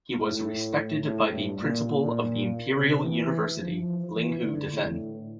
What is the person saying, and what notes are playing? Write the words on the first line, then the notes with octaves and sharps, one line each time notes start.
He was respected by the principal of the imperial university Linghu Defen.
A2
A2
G2
A#2
A#2
C3
E3
F3
E3
D3
A2